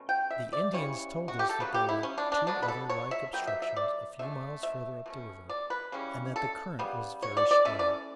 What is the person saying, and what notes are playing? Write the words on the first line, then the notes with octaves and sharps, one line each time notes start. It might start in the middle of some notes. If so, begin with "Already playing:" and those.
The Indians told us that there were two other like obstructions a few miles farther up the river, and that the current was very strong.
Already playing: B2 A3 C#4
G5
E5
D5
C#3 E3 G3 C#4 C#5
F#4
G4
A4
C#3 F#3 B3 B4
G4
E4
C#4
D4
D4
D3 F#3 B3 D4
B4
A4
C#5
E5
D3 F#3 B3 G5
E5
E5
D5
D3 A3 C#4 E5
E5
B2 A3 C#4
D5
B4
C#3 E3 G3 C#4
A4
C#3 G3 B3
C#5
D5
D5
E3 A3 C#4 E5
D5